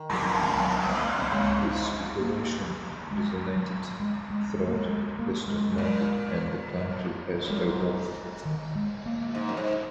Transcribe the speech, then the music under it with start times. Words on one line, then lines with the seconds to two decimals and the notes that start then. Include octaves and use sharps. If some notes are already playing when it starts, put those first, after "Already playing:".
This speculation resonated throughout the stock market and the country as a whole.
Already playing: D#3
0.13 F#3
0.43 F#3
1.32 C#3 G#3
1.62 G#2
2.21 A#3
3.11 G#3
3.56 F#3
4.00 G#3
4.30 G#3
4.59 G#3
4.68 A#3
4.76 G#3
4.89 G#3
5.19 A#3
5.48 G#3
5.78 A#2
7.46 F#2 G#3
7.56 G#2 F#3
8.45 D#3
8.75 G#3
9.06 A#3
9.35 G#2
9.49 F#2
9.57 G#2